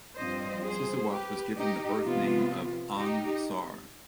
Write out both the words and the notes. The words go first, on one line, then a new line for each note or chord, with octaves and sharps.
Sisowath was given the birth name of "Ang Sar".
G2 F3 C4 C5 D#5
G#4 C5
G4 B4
D#4 G4
C3 F3 B3 F4
D#4 G4